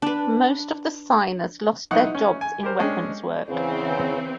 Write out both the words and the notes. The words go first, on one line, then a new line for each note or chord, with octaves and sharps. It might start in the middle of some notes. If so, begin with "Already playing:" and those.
Most of the signers lost their jobs in weapons work.
D4 B4
B1 D#4 E4 F#5 C#6 D#6
C#4
G#5
G4 A#4 C5
G#3 C#4 D4 G#4 D#5 G5
E2 C#3 E3 C4